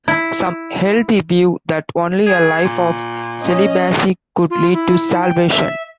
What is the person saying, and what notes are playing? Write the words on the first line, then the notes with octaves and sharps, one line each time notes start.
Some held the view that only a life of celibacy could lead to salvation.
E4
G#4
A#2
C#4 D#5
F4
E4
G5
E5